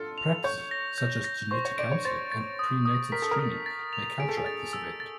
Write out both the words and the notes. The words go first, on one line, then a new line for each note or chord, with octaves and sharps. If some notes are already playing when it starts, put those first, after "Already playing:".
Practices such as genetic counselling and prenatal screening may counteract this effect.
Already playing: F4 A4
F7
C#5 G6
A#6
G6
A#6
C5 C#6
C#5
D5 D7
C#5
C5 A6
A6
D#6
D#6
A#4 B6
A4
A#4
D#6
A6
F7
G#4 D7
A4
G#4
A6
E6
A6